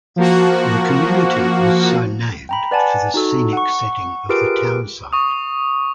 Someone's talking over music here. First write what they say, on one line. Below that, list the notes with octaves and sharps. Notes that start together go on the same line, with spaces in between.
The community was so named for the "scenic" setting of the town site.
F3 A#3 F#4
G5 A#5 B5
B4 D5 F#5 G#5 A5
D#4 F#4 A4
F#5 C#6
F4 G4 G#4 A#4 B4 D7
C#6 D#6